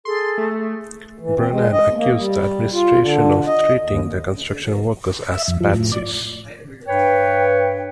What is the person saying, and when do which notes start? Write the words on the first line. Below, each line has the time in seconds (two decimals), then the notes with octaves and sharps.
Brennan accused the administration of treating the construction workers as "patsies".
0.05 G#4 A4 C6
0.38 A3
1.19 E3
1.38 C4
1.52 G#3
1.72 D#5
1.97 A#3
2.17 G3
2.73 F4
3.00 D3
3.47 D#5
3.85 D#2
5.31 E5
5.48 F2
5.61 F3
5.73 A2
5.92 D5
6.87 G2 B4 C#5 G5